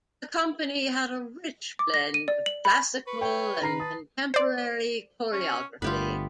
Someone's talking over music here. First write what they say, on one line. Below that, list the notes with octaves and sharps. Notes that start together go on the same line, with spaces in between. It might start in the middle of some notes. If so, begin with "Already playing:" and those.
The company had a rich blend of classical and contemporary choreography.
D6
A#6
D#7
D5
F#7
B5
B4 C#6
C#5 G5
D#3 A#4 A#5 C7
A5 D#6
C5 D5
C#4
G1 D3 A3 B3 F4 G4 B4